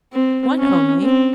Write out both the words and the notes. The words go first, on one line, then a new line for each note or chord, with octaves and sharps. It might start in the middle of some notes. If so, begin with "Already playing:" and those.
"One only?"
C4
C#4
C4